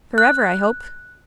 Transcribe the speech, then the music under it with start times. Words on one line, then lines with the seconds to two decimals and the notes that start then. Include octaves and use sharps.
Forever, I hope.
0.18 F#6